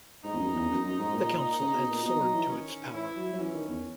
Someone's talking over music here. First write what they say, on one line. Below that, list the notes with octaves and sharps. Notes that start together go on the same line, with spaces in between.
The Council had soared to its power.
G#2 D#4
E2
F#2
E2
F#2
F#2
G#2
A#2
C#3 D#4
B2
A#2
B2 D#4
F#3
E3
D#3 C#4
E3 E4
F#3
F#3
E3 C#4
D#3
E2